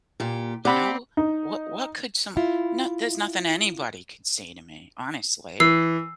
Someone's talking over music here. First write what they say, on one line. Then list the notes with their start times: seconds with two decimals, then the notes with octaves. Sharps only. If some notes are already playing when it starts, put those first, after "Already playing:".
you know, what what could some no, there's nothing anybody could say to me, honestly.
0.20 A#2 G4
0.65 C4 G4 D5 F#5 B5
1.17 D#4
2.37 E4 F4
5.60 E3 E6 C7